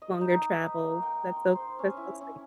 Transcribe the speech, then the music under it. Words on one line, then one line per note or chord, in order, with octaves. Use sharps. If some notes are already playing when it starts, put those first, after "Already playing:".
along their travel. That's so that's so sweet.
D#5
D#4
B4
A#3
G5
C6
C5
C#4
E4
C#4